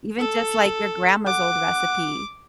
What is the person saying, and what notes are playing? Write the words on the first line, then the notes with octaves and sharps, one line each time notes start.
Even just, like, your grandma's old recipe.
A4
F#5 D6